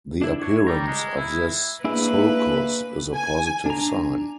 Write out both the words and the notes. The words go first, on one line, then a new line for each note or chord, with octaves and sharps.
The appearance of this sulcus is a positive sign.
D4 E4
C#5
G3 A#5
G#3
E4
A#3 D4 E4 G#4 B4
G#5
D4 A#5